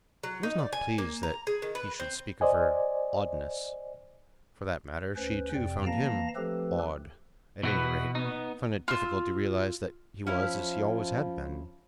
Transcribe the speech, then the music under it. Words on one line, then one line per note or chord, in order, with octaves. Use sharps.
She was not pleased that he should speak of her "oddness." For that matter, she, too, found him "odd"--at any rate, found it difficult to realise that he was as he always had been.
F#3
D#4
D5
G#5
A#3
A#5
G#4
D#3
B4
C4
C5 D5 D#5 G#5
D2 C#4 B4 C5
F2 C3 D5 G5
E3 A#3 F5 A5 A#5 A#6
F3 A3 C4 G4 A4 B4
B2 E3 F#4 B4
B3 D#4
F4 E6
F3 C#4 E4 F5